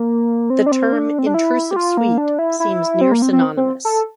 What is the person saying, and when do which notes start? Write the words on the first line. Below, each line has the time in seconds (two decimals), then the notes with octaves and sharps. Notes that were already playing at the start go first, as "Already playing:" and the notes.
The term intrusive suite seems near synonymous.
Already playing: A#3
0.50 C4
0.66 D4
0.72 C4
0.93 D4
1.19 C4
1.26 D4
1.34 E4
1.71 G4
1.76 F4
1.97 A#3
2.18 D4
2.39 E4
2.60 E4
3.01 C4
3.12 A#3
3.22 C4
3.33 C4
3.57 C4
3.85 A4